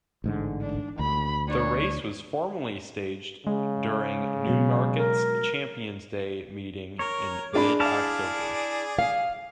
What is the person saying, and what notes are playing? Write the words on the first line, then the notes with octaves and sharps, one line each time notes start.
The race was formerly staged during Newmarket's Champions' Day meeting in mid-October.
A1 G#2 D3
D4
D2 B5
D4 C#5
C#3 G#3
B2 F#3
A#4
A#4 C#5
G#3 A#3 D4 B5 D6
E4 G#4 D5 F5 A5
F5